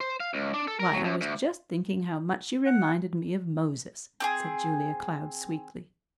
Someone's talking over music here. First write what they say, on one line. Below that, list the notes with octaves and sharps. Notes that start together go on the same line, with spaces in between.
"Why, I was just thinking how much you reminded me of Moses," said Julia Cloud sweetly.
C5
F5
C#2
D4
A4
A#4
F#3
F#2
D2
F#5
C4 G4 G#4